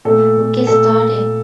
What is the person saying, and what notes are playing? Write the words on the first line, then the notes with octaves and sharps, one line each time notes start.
Get Started!
A#2 A3 A4
A#2 A3
A#2 A3 A4